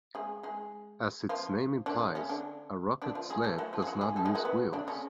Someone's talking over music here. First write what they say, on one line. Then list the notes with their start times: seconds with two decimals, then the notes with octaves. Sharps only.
As its name implies, a rocket sled does not use wheels.
0.15 G#3 G#4
0.43 G#3 G#4
1.29 F3 F4
1.86 D3 D4
2.15 C#3 C#4
2.29 D3 D4
3.02 D3 D4
3.15 F3 F4
3.30 G#3 G#4
3.44 A3 A4
3.58 F#3 F#4
3.73 F3 F4
3.82 G#4
3.87 F#3 F#4
4.01 G#3 G#4
4.16 A3 A4
4.25 G#3 G#4
4.35 F#3 F#4
4.45 B3
4.73 D3 D4
4.88 C#3 C#4